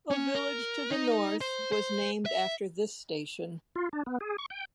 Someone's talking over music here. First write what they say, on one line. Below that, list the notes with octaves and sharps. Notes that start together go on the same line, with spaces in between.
A village to the north was named after this station.
C#4
A#4
D#4
C5
C5
E5
F4
D4
B3
G#4
C#6
G5